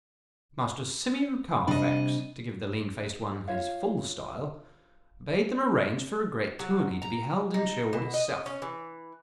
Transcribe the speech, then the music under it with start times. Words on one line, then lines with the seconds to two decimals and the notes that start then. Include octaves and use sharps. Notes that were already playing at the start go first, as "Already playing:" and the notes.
Master Simeon Carfax, to give the lean-faced one his full style, bade them arrange for a great tourney to be held in Sherwood itself.
1.68 C3 G3 D4 D#5
3.48 F4 C#5 F5
6.59 F#3
7.02 A#5
7.54 D#4
7.93 B2
8.14 D#5
8.46 C#4
8.62 E3